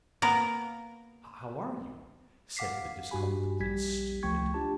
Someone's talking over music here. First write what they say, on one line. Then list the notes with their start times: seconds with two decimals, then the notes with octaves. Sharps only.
'How are you?' said the discomfited student.
0.22 A#3 B3 A#4
2.57 F5 F#5 D6 B6 C7
3.11 G2 F#4 G4 G#5 B5
3.60 A#1 G3 G4 G#6 B6
4.23 C#2 F3 A3 G5 C#6 G#6
4.54 D4 F4 G4 A5